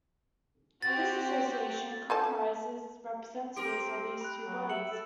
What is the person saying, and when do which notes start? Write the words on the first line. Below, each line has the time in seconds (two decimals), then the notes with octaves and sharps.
This association comprises representatives of these two bodies.
0.82 C4 F#4 G4 A6
2.10 A3 A4 A5
3.57 C4 G4 A#4 D7
4.21 B5 F#6
4.46 F#3
4.69 E5 C#7 F#7
4.91 A4